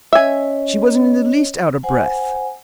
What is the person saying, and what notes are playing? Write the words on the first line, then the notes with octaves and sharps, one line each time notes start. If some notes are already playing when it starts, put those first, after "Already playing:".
She wasn't in the least out of breath.
C#4 C#5 D#5 E5 G#5
C5 F#5 G#5